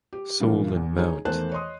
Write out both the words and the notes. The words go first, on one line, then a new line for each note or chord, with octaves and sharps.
Sole and Mt.
G4
G2 A#2 C#3 E3
E2
D#4 G#4 C#5
E2 D#3 A3 C5 A5 F#6
C#5 D#5 C6 D#6